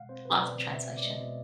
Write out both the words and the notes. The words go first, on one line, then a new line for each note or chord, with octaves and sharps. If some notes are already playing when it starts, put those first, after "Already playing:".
lots of translation.
Already playing: B2 G#3 F5 F#5
C4 C5
B2 B4
B2 D5
C4
B2 E5
B2
D5
G#3 D#5
B2